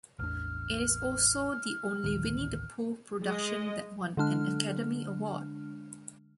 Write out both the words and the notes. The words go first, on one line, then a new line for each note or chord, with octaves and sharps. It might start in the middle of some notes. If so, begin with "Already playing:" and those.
It is also the only Winnie the Pooh production that won an Academy Award.
A1 E2 D4 F6
A1 D2 D#3
G#3 D#5
D3 G#3 D4 F6